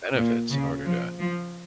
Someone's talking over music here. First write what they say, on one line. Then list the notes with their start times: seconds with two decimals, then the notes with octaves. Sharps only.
benefits in order to,
0.16 A#2
0.50 C#3
0.85 F3
1.19 F3